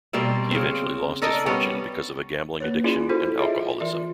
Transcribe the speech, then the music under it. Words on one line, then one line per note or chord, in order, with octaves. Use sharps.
He eventually lost his fortune because of a gambling addiction and alcoholism.
B2 G3 A#3 C4
C#3 C4
A4 A#4 D5 D#5
G3 B3 C#4 D5
A#3 B4 C#5
C#4 E4 F4 G#4 D5
E4 F#4 A4 C5
F4 G#4 C#5 D#5 E5
E3 F4 A#4 D5 E5